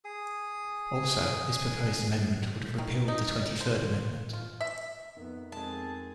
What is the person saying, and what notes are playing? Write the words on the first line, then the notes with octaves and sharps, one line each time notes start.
Also, this proposed amendment would have repealed the Twenty-third Amendment.
G#4 D#6
D#3
D#4
C5
F4
E5
F2 D#3 B3
F2 G#3 C4 G#4 A5